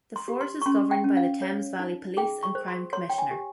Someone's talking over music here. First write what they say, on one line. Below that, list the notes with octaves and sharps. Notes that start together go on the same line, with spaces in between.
The force is governed by the Thames Valley Police and Crime Commissioner.
C6
G4
C6
C#6
C#4 C6
G5
C#4
F5
C#5
D#4
G#4 G5
C#6
C5
C6
C#5 C6
G5
G#5
G4